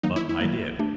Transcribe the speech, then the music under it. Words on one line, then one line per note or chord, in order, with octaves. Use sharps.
But I did.
D#3 F#3 A#3 D#4
E4
E4
D#3 F#3 A#3
A3 D4 G4